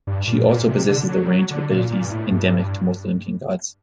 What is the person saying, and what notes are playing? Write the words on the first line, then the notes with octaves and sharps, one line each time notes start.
She also possesses the range of abilities endemic to most Olympian gods.
G2
A#2
A#2
C3
D3
F#3
G3
F#3
D3
A#2
A#2
G2
A2
G2